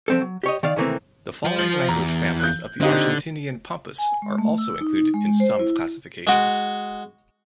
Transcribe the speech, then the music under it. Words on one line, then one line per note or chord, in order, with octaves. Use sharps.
The following language families of the Argentinian Pampas are also included in some classifications.
F3 C4 A4
F#3
G4 C#5 D#5
D#3 D5 F5
C3 D#3 E3 A3 A#3 C4
F4 C5
F3 G6 F#7
E2 A#5
F#6 G6
D3 C4 D#4 G4
G#5
G#3
A3
E6
D#4
G#3
C5
E4
G#3 F#4